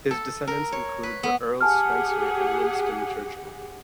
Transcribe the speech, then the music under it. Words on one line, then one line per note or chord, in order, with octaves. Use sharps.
His descendants include the Earls Spencer and Winston Churchill.
A4
A#4
C#5
B4
B3
G4 G#4 F#5 G#5 A5 F6